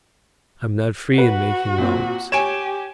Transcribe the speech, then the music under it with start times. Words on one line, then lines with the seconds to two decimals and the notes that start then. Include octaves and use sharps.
I'm not free in making loans.
1.18 F#4 B4
1.78 A#2 C4
2.32 G4 C#5 G#5 D7 E7